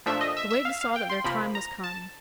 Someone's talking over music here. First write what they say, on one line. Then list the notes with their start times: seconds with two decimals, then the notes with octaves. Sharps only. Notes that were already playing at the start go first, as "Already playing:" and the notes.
The Whigs saw that their time was come.
0.06 A#2 F3 A3 D4 E5
0.21 D#5
0.37 E5
0.51 E5
0.65 F5
0.81 F5
0.96 G5
1.10 C6
1.24 C3 F3 A#3 B5
1.55 A#5
1.84 A5